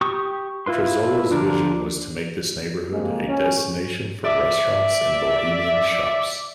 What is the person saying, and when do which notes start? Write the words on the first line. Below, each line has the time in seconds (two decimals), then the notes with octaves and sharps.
Trozzolo's vision was to make this neighborhood a destination for restaurants and bohemian shops.
0.01 G4 C#6 D#6
0.66 E4 F4 B4 C6
1.31 D3 F3 D4 A#4
2.92 F2 G#3 A#3
3.29 C#4
4.24 D5 E5